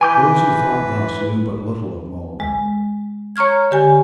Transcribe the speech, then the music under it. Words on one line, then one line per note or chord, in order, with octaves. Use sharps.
Those who thought thus knew but little of Marlborough.
E3 B4 G#5 D6 G6
G#3
C#5 A#5 C#6 F6 G#6
D3 G4 G#5